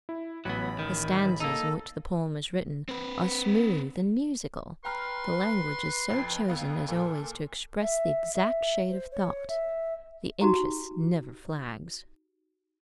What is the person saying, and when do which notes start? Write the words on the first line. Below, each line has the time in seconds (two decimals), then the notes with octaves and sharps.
The stanzas in which the poem is written are smooth and musical, the language is so chosen as always to express the exact shade of thought, the interest never flags.
0.09 E4
0.45 A1 F#3 B3 B5
0.79 D#3
1.40 A#3 D#4 A4
2.89 C4 B4
4.85 B4 G5 A#5 C6 F6
6.10 F2 F3
6.48 F2 B3 F5
6.89 A#2 A4
7.81 E5
8.34 E5
8.90 C5
9.12 C#5
9.49 E5
10.41 D#4 F#4 G4 A#5